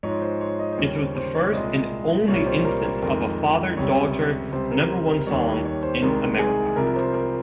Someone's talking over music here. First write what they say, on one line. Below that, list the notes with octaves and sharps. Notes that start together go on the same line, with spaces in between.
It was the first and only instance of a father-daughter number-one song in America.
G#2 F3 G#3 C#5
C5
C#5
D#5
C5
D#2 C#3 G3 C#5
C5
C5
C#5
C2 A#2 G#3 D#5
C2 A#2 G3 C#5
C5
A#4
A#4
F2 D#3 G#3 A#4
C#2 C3 G3 C#5
C#2 C3 G3 C5
A#4
A#4
D#2 D#3 G3 C#5
C#5
C5
C2 C3 D#3 G#3 A#4
G#4
C2 C3 F3 A#4
C5
A#4